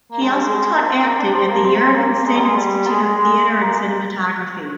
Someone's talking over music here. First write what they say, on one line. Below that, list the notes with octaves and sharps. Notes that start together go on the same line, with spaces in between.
He also taught acting at the Yerevan State Institute of Theatre and Cinematography.
A#3
G#3
G3
G#3
A#3
C4
A#3
D4
C4
A#3
C4
C4
A#3
G#3
G3
G#3
G3
G#3
G#3
G#3
G#3
A#3